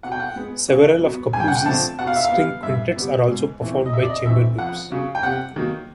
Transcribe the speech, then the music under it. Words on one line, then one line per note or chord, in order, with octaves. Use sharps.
Several of Capuzzi's string quintets are also performed by chamber groups.
B2 F#5
G5
F#5
G#3 B3
C#3
F#3 B3
G2 G#5
G5
F#5
G5
D3 F3 A3 C4 A5
B2 F#5
F5
E5
F5
G3 B3
G2 E5
D3 G3 B3
G#2
E3 A3 C4
D#5
C3 E5
D5
D#5
E3 A3 C4 E5
F2 F#5
C#3 F#3
G5
C3 F#5
D#3 F#3 A#3